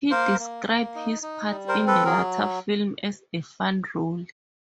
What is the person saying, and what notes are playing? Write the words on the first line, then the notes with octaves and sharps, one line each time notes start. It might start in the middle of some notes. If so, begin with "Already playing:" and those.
He described his part in the latter film as a "fun role".
A#3 A#4 C5
A#3
A#3
D#4
D#4
G3
A#4 C5
C4
A4 B4
F#3 G#4 A#4